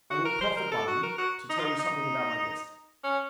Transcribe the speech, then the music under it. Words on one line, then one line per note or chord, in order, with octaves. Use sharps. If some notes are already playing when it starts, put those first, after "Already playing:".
"I will profit by them to tell you something about my guest."
F#4
A#4
C5
A#4
A4
F#4
A#4
F#4
D#4
F4
D#4
D#4
C#4